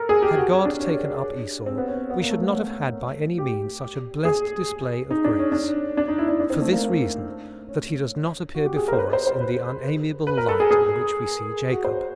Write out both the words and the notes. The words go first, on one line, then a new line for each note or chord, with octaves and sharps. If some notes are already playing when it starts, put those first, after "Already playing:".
Had God taken up Esau, we should not have had by any means such a blessed display of grace; for this reason, that he does not appear before us in the unamiable light in which we see Jacob.
Already playing: A4 A#4
G#4
G4
F#4
C#4
D4
C#4
C4
B3
C#4
B3
A#3
A3
B3
C#4
G4
G#4
D#4
D4
C#4
D4
D4
D#4
E4
D4
D4
C4
A3
A#3
A#3
C#4
F#4
G4
G#4
A#4
C5
B4
C5
C5
B4
B4
A#4
A4
G#4
G#4
F#4
C5